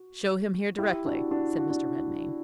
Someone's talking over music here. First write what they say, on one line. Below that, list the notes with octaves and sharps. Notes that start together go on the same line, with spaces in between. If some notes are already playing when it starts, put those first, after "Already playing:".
"Show him here directly," said Mr. Redmain.
Already playing: F#4
E4 G4
D4 F#4
D4 F#4
D4 F#4
D4